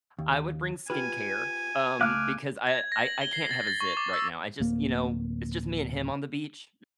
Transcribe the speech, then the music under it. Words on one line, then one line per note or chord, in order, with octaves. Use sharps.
I would bring skincare, um, because I I I can't have a zit right now. I just you know, it's just me and him on the beach.
D#2
F4 G4 B4 G#5
C#2 A3 F5 D6 F6 F#6
G#6
A#6
F#7
G7
C7
A6
A6
C#6
D6
E6
D1 A#3